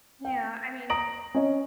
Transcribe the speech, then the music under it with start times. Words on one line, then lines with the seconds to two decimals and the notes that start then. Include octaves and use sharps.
Yeah, I mean
0.25 G5
0.90 A#5 D#6 A#6 D7 F#7
1.35 C#4 D#5